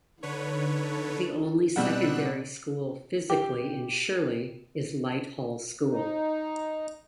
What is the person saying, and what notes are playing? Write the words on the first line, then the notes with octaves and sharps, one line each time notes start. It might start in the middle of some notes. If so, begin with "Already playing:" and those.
The only secondary school physically in Shirley is Light Hall School.
D3 D#4 A4 B4 C#5
B2 G3 C4 D5 F#5 E6 F#6
G4
D#4